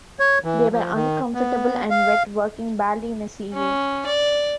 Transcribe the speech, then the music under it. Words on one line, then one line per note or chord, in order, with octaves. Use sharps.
They were uncomfortable and wet, working badly in a seaway.
C#5
E3
F3
D#3
B3
F5
C#4
D5